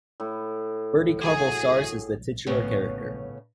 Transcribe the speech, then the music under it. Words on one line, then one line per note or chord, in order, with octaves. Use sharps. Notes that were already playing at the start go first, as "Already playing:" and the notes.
Bertie Carvel stars as the titular character.
A2
F#4 G#4
A2 C#3 B3 C#4